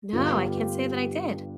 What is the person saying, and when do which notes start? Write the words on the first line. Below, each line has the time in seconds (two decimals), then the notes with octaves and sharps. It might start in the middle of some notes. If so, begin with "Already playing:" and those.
No, I can't say that I did.
0.13 G2 D3 G3 B3 D4 F4
0.36 G4
0.46 G4
0.58 G4